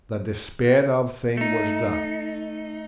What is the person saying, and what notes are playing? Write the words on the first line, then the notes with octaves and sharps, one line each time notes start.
The despaired-of thing was done.
A3 D#4